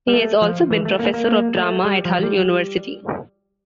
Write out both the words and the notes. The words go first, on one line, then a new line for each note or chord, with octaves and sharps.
He has also been professor of drama at Hull University.
G3
A3
F3
E3
A3
A#3
A#3
A#3
A3
G3
F3
G3